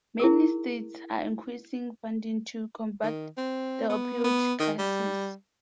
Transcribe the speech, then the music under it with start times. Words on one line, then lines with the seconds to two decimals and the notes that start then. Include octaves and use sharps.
Many states are increasing funding to combat the opioid crisis.
0.20 E4 G#4 A#4
3.03 D#3
3.37 C4
3.89 B3
4.24 B3
4.60 D#3
4.79 G3